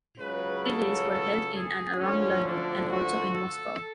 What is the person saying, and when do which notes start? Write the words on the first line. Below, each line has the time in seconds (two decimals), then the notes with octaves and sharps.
Relays were held in and around London and also in Moscow.
0.16 C#2 C#3 F#3 B4
0.62 A4
1.08 A4
1.53 G#4
1.98 D2 D3 F3 C#4
2.43 D4
2.88 F#4
3.33 A4